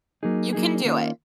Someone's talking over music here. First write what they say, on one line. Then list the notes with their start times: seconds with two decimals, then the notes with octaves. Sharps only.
You can do it.
0.23 F#3 A#3 D#4 G#4
0.53 F#3 A#3 D#4 G#4
0.84 D#3 A#3 C#4 F4